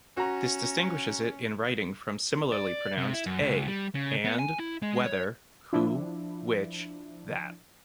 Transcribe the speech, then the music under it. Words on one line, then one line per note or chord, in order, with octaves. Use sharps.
This distinguishes it in writing from similarly pronounced "a" "and; whether; who, which, that".
C#4 F#4 A#5
D5
C3
E4
F#2
C#2
G3
C#3
B3
G#5
E4
G#3
C#5
F3 D4 E4